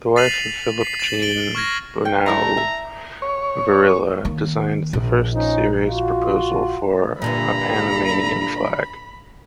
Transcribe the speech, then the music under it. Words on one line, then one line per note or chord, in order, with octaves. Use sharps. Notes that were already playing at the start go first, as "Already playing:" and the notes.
The wife of Philippe-Jean Bunau-Varilla designed the first serious proposal for a Panamanian flag.
A6 B6 C7 D#7 F7 F#7
B6 C7
A6 E7 F#7
A6 D7 F#7 G7
C#6 F6 G#6 A#6
G5
G3 A3 E4 A#5
E5
C#5
D#3 A#3
A#1
F3 C#4 D#4
F4 F#4
G2 A#2 D3 E3 A#5 B5